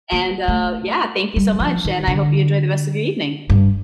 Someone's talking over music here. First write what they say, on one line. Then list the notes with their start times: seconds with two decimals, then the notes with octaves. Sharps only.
And, uh, yeah, thank you so much, and I hope you enjoy the rest of your evening.
0.12 A#3
0.48 A3
1.36 G3
1.60 F3
1.85 D#3
2.07 D3
3.50 G2